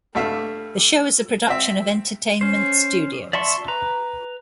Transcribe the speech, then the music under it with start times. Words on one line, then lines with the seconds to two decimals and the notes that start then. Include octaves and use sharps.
The show is a production of Entertainment Studios.
0.15 G2 A3 E5 F5
1.47 C4 E5
2.41 C#4 C5
3.33 D5 E5 A5 C6 C#6
3.68 B4 A#5